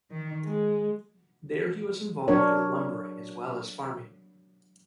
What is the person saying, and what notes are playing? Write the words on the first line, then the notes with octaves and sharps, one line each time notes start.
There he was involved with lumbering as well as farming.
D#3
G#3
F#3 D4 A#4 C#5